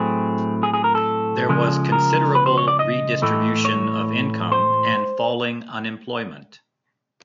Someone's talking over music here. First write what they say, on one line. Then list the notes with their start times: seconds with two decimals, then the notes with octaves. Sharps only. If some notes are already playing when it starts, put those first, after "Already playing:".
There was considerable redistribution of income and falling unemployment.
Already playing: A2 F#3 A3 C4 G#4
0.63 G#4
0.73 G#4
0.84 A#4
0.95 A4
1.49 C#3 F3 G#3
1.92 A#4
2.35 B4
2.46 C5
2.58 C#5
2.68 D5
2.79 D#5
3.22 A2 E3 A3
3.65 C#5
4.52 C5